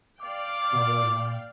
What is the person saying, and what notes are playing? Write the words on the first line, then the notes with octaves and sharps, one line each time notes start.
Oh, really? Wow.
D5 F5 G5 D6